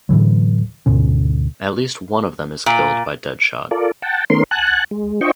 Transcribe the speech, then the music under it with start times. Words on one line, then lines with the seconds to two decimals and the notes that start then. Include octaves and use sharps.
At least one of them is killed by Deadshot.
0.09 A2 D3 E3 F#3
0.86 D2 G#2 B2 C#4
2.66 A#2
3.71 F4 A4 A#4 D5
4.02 F#5 G5 A5
4.30 D#3 A3 B3 C#4 A#4 C6
4.51 F#5 G#5 A5 F#6
4.91 G#3
5.21 D4 F4 C5 D#5 G5 C#6